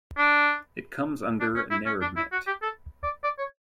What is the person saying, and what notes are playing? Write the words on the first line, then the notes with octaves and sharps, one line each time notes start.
It comes under Neredmet.
D4
D4
C#4
E4
C#4
D4
E4
F#4
G4
A4
D5
D5
C#5